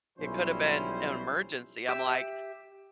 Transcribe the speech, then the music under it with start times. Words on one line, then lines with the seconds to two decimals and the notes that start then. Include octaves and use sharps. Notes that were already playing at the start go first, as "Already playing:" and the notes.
It could have been an emergency," I'm like,
0.19 B1 F3 G3 C#4 E4 C5
1.89 G4 E5